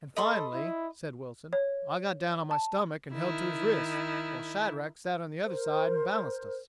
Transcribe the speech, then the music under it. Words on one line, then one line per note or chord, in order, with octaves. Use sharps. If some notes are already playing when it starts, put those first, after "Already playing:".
"And finally," said Wilson, "I got down on my stomach and held to his wrists, while Shadrack sat on the other side and balanced us."
A4 D#5 B5 C6
E4
C#5
A5
D#3 E4
A#4 C5